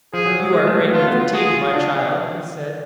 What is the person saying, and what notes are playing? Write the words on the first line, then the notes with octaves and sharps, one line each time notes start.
"You are greatly fatigued, my child," he said.
F3 G#4
F#3
F#3
G#3
A3
F#3
A3 F4
B3
F4
F#4 G#4
F4
D4